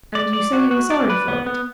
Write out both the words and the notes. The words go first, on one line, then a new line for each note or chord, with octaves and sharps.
"And you say you are sorry for it."
D5
D5
F#4
F#4
D5
B4
B3
B3